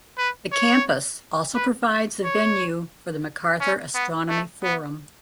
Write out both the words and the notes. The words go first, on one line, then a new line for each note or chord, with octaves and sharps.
The campus also provides the venue for the Macarthur Astronomy Forum.
B4
C#5
B4
C#5
C#4
B3
A3
B3